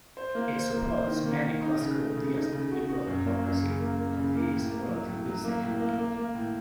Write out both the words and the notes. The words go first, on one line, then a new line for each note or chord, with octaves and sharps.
It supports many classical ideas of liberal democracy and is relatively secular.
C5
A#3
C5
A#3
C5
D#3
A#3
D#3
D#4
C#3
A3
C#3
D#4
C#3
F#4
F#4
F#2
A#3
F#2
C#3
A#3
A#3
C#3
A#3
A2
A#3
F#3
A2
F#3
A#3
A2
A#3
A#3
A#3
A2